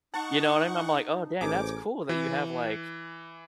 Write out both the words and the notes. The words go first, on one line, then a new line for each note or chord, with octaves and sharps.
you know what I mean? I'm like, "Oh, dang, that's cool that you have, like"
D#4 F#5 A5 C#6
A1 G#4 C5 A#5 D6
E3